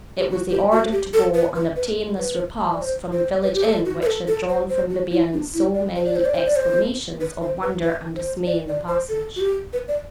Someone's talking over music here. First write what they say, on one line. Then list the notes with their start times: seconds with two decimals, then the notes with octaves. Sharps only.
It was the order to go and obtain this repast from the village inn which had drawn from Bibiaine so many exclamations of wonder and dismay in the passage.
0.18 G4
0.30 F#4
0.50 G4
0.72 F#4
0.92 G4
1.14 A4
1.34 B4
1.55 B4
1.76 B4
2.18 B4
2.73 D5
2.81 C5
3.12 C5
3.43 B4
3.54 G4
3.64 A4
3.86 F#4
4.02 B4
4.06 A4
4.28 A4
4.49 C5
4.70 C5
4.90 F#4
5.12 E4
5.33 D4
5.54 E4
5.74 D5
5.96 C5
6.05 D5
6.16 C5
6.25 D5
6.36 C5
6.46 D5
6.56 C5
7.21 B4
7.42 C5
7.63 B4
7.84 B4
8.16 C5
8.46 D5
8.68 D5
8.88 C5
9.09 A4
9.36 F#4
9.40 G4
9.73 B4
9.88 D5